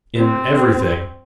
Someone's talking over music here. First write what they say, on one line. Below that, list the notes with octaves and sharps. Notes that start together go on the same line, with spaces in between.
"In everything."
C4